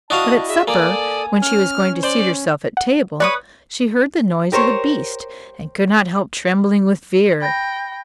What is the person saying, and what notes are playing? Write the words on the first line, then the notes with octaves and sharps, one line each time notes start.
But at supper, when she was going to seat herself at table, she heard the noise of the beast, and could not help trembling with fear.
D4 E4 F#4 D#5 F5 A5 D#6
G#4 E5
A#3 A4 D5 G#5 D#6
C#4 F6
C5 D5
F#5
B4 C#5 D5 D#6
G4 A#4 C5 C#5
G5 B5 A#6